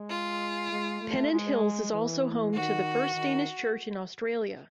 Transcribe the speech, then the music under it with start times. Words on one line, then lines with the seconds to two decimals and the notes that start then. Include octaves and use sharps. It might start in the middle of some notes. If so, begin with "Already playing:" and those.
Pennant Hills is also home to the first Danish Church in Australia.
Already playing: G#3
0.10 F4
0.72 G#3
1.02 A3
1.32 G#3
1.93 E3
2.54 D#3 F#4
3.14 D#3